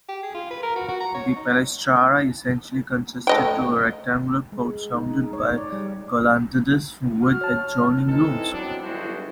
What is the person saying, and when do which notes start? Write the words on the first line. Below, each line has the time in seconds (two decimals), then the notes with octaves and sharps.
The palaestra essentially consisted of a rectangular court surrounded by colonnades with adjoining rooms.
0.09 G4
0.23 G#4
0.35 F4
0.51 B4
0.63 A#4
0.76 F#4
0.88 F#4
1.00 A#5
1.14 C#5
1.36 D#4
3.27 A3 D#5 G5
4.52 G#3
4.94 D#4
5.33 C#5
5.58 D5
5.72 G3
7.23 F#4 F6
7.41 C#5 A5
8.08 E3 G#3 C4 D#4 A4
8.53 F#3 B3 C4 D4
8.84 G1 D#2 G#3 E4 F#4 C5